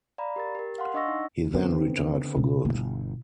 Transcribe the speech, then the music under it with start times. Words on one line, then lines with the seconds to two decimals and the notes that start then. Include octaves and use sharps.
He then retired for good.
0.18 D5 F5 A#5 B5
0.36 G4 A#4 A6
0.55 G4 A#4
0.78 F5 F#5 C6
0.94 D4 D#5 F#5 C#6 E6 A#6
1.08 D#4
1.54 D3 E3 B3 C4
2.36 B2
2.65 G1 B2 E4